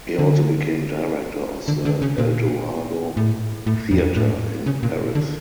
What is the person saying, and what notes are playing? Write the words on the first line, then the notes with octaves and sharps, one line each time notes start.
He also became director of the Eldorado theatre in Paris.
D3
D3
D3
C#3
A#2
A2
A2
F2
A2
C#3
A#2
D3